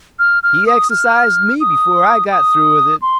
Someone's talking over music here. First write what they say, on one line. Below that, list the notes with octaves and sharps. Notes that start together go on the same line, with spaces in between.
He exercised me before I got through with it.
F6
F6
D#6
F6
D#6
D#6
C6